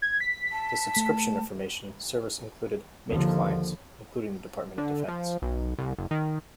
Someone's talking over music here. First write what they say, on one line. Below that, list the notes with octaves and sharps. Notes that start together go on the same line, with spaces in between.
The subscription information service included major clients including the Department of Defense.
G#6
B6
A5
A3
D#2 D3 F3
D3
F3
B1
C2
F#1
D#3